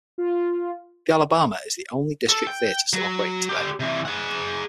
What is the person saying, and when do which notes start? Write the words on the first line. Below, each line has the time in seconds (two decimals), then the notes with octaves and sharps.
The Alabama is the only district theater still operating today.
0.18 F4
2.29 A4
2.47 G5
2.93 F#3
3.49 D3 G4
3.80 C3 E3
4.05 G#4 F#5